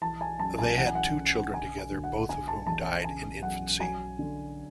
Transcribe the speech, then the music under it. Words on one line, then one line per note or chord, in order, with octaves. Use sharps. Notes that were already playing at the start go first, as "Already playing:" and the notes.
They had two children together, both of whom died in infancy.
E3 A5
G#5
F#2 A5
G#5
E3 F#5
G#5
F#5
C#3
D3 G#5
G#5
D2
F#5
D3 G#5
A5
E2 A5
C#3 G#5
F#2 F#5
F#3 G#5
D3